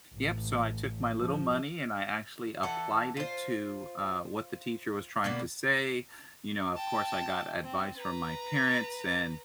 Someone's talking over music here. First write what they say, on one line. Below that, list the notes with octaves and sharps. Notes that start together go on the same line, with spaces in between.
Yep, so I took my little money and I actually applied it to, uh, what the teacher was trying to say, you know, of course, I got advice from my parents, and,
A1
F3
E3 A4 F#5
F4 C5
B2 D3 A#3 B3
G5 A5
C4
B4 A#5